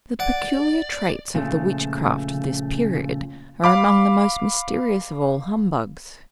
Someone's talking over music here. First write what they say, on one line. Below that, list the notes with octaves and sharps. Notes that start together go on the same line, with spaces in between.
The peculiar traits of the witchcraft of this period are among the most mysterious of all humbugs.
D5 F#5
A#2 C#3 F3 A3
F5 B5 D6